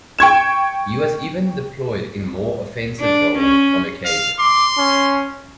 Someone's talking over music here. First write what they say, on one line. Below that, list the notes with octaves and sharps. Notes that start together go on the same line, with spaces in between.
He was even deployed in more offensive roles on occasion.
G5 C#6 G#6 E7
D4
C#4
F5
C6 D6
C#4